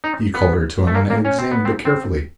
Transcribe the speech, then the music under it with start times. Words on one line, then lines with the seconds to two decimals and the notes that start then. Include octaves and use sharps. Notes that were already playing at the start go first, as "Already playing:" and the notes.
He called her to him and examined it carefully.
0.04 D#4
0.34 B3
0.87 A3
0.95 A#3
1.10 A#3
1.25 C#4
1.38 C4
1.51 B3
1.65 C4
1.85 C4